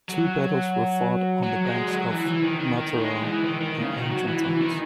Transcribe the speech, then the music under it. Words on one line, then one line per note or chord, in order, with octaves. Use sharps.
Two battles were fought on the banks of Metauro in ancient times.
F#3
F#3
G#3
F#3
E3
E3
D#3
D#3
D#3
G#3
E3
D#3
D#3
C#3
D#3
F#3
E3
E3
D#3